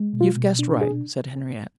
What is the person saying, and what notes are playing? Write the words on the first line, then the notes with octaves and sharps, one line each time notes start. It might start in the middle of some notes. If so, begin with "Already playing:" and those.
"You've guessed right," said Henriette.
Already playing: G#3
B2
F4
B2
D4
B2 G#4